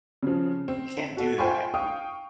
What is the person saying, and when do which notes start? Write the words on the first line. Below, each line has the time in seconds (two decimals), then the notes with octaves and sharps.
You can't do that. Y
0.23 C#3 F3
0.68 C4
1.17 F#4 A4 F#5
1.38 F4 C5 G5 G#5 B5 C#6
1.74 F5 G5 C#6 D#6